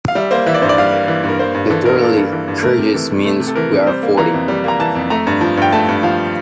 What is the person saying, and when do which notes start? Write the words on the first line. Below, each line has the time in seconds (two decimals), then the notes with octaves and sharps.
Literally, Kyrgyz means "We are forty".
0.08 F5
0.15 G3 E5
0.31 A#3 C5
0.46 E3 E5
0.54 D5
0.62 G2 C5
0.69 D5
0.78 G3 F5
0.93 A#3
1.08 E3
1.24 G2 A#4
1.39 A#3 C5
1.54 G2
1.70 E3 A4
1.85 G2 A#4
2.01 A#3 A4
2.17 G2
2.32 E3
2.48 G2
2.63 A3 A#4
2.79 C3
2.94 E3 A4
3.10 C3
3.25 A3
3.40 C3
3.48 A4
3.55 E3 A#4
3.72 C3
3.87 G3 C5
4.03 A#3
4.17 E3 A#5
4.34 F2
4.48 G3
4.64 A#3 A#5
4.80 E3 A5
4.95 F2
5.10 A3 A#5
5.27 G2
5.41 F3
5.57 G2 G5
5.72 A3 A5
5.88 G2
6.03 F3 F5